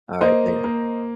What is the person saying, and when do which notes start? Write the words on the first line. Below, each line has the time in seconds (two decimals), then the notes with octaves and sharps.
Alright, later.
0.21 A#3 C5 D#5
0.64 A#3